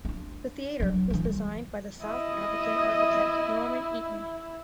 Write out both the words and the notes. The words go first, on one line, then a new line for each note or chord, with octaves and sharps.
The theatre was designed by the South African architect Norman Eaton.
D4 F4
F#3 D4
E3 D4
G3
E4 D#5